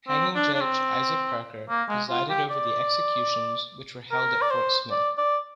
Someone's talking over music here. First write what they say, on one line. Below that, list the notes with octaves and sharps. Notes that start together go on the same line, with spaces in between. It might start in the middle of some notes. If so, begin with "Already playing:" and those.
"Hanging judge" Isaac Parker presided over the executions, which were held at Fort Smith.
C4
D4
D4
C4
A#3
G#3
F4
G4
D5
A#4
D5
C5
D5
D5